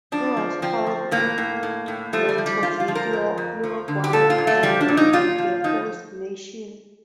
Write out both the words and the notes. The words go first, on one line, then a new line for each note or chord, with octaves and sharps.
It was held in Montevideo, Uruguay and won by the host nation.
F3 D4
F3
F3 C4
F3
A2 A#3
A2
A2
A2
F3 A3
G3
F3
G3
F3 F4
F4
F3
A#4
F2
F2
F3
D3
G4
A#2 A4
F4
A#2
A3
F3 G3
D4
A#2
D#4
A#2 F4
F3
F3 D#4